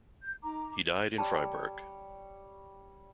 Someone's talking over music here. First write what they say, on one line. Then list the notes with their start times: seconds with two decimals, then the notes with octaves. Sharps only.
He died in Freiburg.
0.22 G6
0.43 D#4 A#5 D6
1.18 G3 C#5 A5